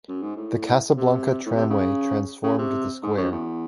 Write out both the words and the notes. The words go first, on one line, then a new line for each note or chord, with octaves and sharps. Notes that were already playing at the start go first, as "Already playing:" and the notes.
The Casablanca Tramway transformed the square.
F#2
G#2
A2
C3
A2
C3
C#3
C#3
C3
G#2
F#2
E2